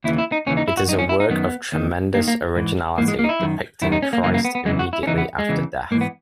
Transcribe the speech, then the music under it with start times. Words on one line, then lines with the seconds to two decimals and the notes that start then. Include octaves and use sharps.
It is a work of tremendous originality, depicting Christ immediately after death.
0.04 D#2 C#3 E3 E4
0.18 E4
0.32 D#4
0.47 D#2 C#3 E3 C#4
0.57 D#4
0.68 E4
0.77 F#4
0.88 F#2 D#4
0.93 D#3
0.99 C#4
1.09 E4
1.20 D#4
1.30 F#2 D#3 B3
1.72 D#2 D#3
2.14 D#2 A#3
2.18 D#3
2.28 A#3
2.56 G#2 E3
2.98 G#2 E3 A#3
3.08 G#3
3.19 A#3
3.24 D#4
3.29 E4
3.40 F#2 D#3
3.82 F#2 D#3 E4
3.92 D#4
4.03 C#4
4.13 A#3
4.23 F#2 C#3 E3 A#3
4.34 A#3
4.45 B3
4.55 B3
4.65 F#2 C#3 E3 G#3
4.79 F#4
4.93 E4
5.03 C#4
5.07 E2 C#3 E3 D#4
5.18 B3
5.39 G#3
5.49 E2 C#3 E3
5.91 G#2 A#3
5.95 E3
6.01 B3